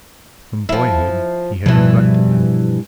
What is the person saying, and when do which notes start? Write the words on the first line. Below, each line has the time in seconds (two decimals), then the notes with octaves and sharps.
From boyhood he had neglected them.
0.69 F3 E4
1.66 G2 B2 E3 F3